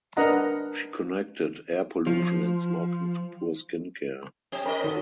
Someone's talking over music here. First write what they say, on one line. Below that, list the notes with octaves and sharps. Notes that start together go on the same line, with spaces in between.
She connected air pollution and smoking to poor skin care.
D4 A#4 B4 D#5 F#5 A#5
F3
C4 G4
C4 C#4 A#4 C5 D#5 B5
D#3 F#4 A4